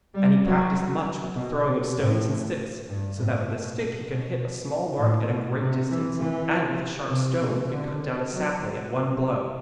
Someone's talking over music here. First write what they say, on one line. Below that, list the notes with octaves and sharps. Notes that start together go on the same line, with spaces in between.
And he practised much with the throwing of stones and sticks, so that with a stick he could hit a small mark at a great distance, and with a sharp stone he could cut down a sapling at one blow.
G3
F#3
B2
B2
A2
G2
A2
B2
B2
A2
B2
C3
E3
E3
C3
B2
D3
F#3
B2